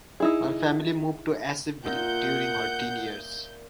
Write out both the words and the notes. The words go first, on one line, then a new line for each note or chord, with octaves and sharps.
Her family moved to Asheville during her teen years.
D#4 E4 G#4
A#2 D#5 E5 F#5 G6